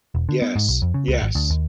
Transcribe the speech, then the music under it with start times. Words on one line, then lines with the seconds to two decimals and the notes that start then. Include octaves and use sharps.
Yes, yes,
0.15 E1
0.29 D3
0.42 B3
0.56 G#2
0.68 B1
0.82 F2
0.94 C#3
1.08 C#2
1.22 G#1
1.35 D2
1.50 D#2